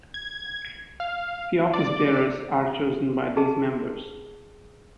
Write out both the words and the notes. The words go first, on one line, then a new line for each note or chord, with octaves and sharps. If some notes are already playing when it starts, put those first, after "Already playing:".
The office-bearers are chosen by these members.
G#6
F5
D5
G#4 A5